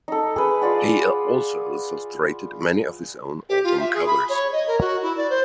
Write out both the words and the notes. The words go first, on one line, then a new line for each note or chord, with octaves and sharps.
He also illustrated many of his own album covers.
D#4 A4
G#4 B4
F4 G#4 D5 F#5
G4
F4
E5
G#4
B5
C#5
D#5
A#4
F#4
E4
D5
C5